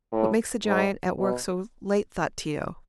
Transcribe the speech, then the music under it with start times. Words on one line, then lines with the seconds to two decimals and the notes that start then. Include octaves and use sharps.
"What makes the giant at work so late?" thought Tito.
0.12 A2
0.66 G#2
1.18 B2